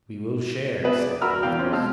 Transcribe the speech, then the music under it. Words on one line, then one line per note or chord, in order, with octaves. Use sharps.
"We will share," said Porthos.
B3 G#4 B4 E5
D5
F#4 A#4 B5 E6 F6
E2 F5 G5 F6
C4 C#4 F4
B2 G#3 C4 A5 F6